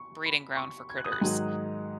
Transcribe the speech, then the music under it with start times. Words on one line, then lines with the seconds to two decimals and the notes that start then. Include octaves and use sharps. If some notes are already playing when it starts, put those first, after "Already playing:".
breeding ground for critters.
Already playing: C#6
0.26 B5
0.57 C#6
0.90 G#6
0.98 F#6
1.05 D#6
1.12 F#6
1.21 G#2 D#3 F#3 D#4